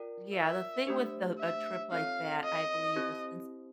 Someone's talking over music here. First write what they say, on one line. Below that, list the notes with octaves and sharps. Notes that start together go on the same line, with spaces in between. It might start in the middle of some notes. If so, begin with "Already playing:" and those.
Yeah, the thing with the a trip like that, I believe, is ins
Already playing: F4 A#4 D5 G5
E5
A3 D4 G4 C5
E5
C4 F4 A4 C#5 F5
D#5
C4 E4 G4 C5